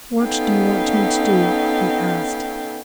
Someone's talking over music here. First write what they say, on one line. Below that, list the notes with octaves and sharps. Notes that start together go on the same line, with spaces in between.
"What do you want me to do?" he asked.
B3 C#4 D#4 A4 F5 G5